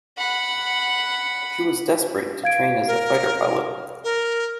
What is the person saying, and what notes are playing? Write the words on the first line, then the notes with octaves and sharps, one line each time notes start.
She was desperate to train as a fighter pilot.
F#5 B5
F5 G#6 D7
A#4
A#4